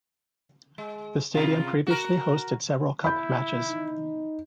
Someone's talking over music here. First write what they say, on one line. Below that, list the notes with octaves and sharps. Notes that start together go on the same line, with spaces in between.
The stadium previously hosted several cup matches.
G#3
C3 F4
F#4 A#4
E4 B5 G6
D#4